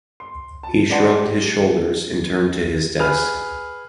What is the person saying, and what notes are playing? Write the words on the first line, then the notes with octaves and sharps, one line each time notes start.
He shrugged his shoulders and turned to his desk.
C6
A5
D4 B4 D5 F#5 A5 C6
G4
G#4 B4 F6